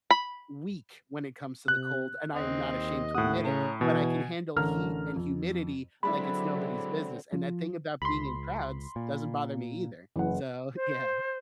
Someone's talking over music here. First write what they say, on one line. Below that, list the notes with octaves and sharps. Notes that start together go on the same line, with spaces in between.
weak when it comes to the cold, and I am not ashamed to admit it, but I can handle heat and humidity like it's nobody's business, and that thing about being in crowds doesn't bother me either, so, yeah.
B5
C3 F#6
D#2 C4 D#5
A2 F#5 D#6
C#3 C#4 A#5
B2 E3 G#5
A1 D3 A4 A#4 A#5 F6
F2
D3 F#3 G#3 C4 D4 E4 B5
F3
C#2 B5 C6
A#2
F#1 E3 F#5
C5